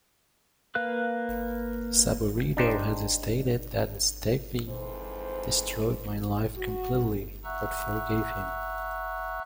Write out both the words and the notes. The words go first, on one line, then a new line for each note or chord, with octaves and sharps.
Saburido has stated that Stephey "destroyed my life completely," but forgave him.
A#3 B4 F5 F#6
D4 D#4 G4 C5
F2 G#2 E3 C5
F#4
E5 F#5 A#5 C#6 E6 F#6